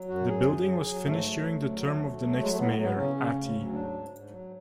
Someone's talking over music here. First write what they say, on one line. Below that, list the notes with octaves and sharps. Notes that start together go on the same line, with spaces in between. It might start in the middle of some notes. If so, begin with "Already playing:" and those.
The building was finished during the term of the next mayor, Atty.
Already playing: F#3
F#2 F#4
F#2 G#4
F#3
F#3
F#3
G#2 A3
F#3
D2
F#3
D2 A3
F#3
F#3
F#3 G#3
A3
A2 B3
F#3
B3
C#3 C#4
C#3
D2
F#3
G#2 D4
G#2
G#2
F#3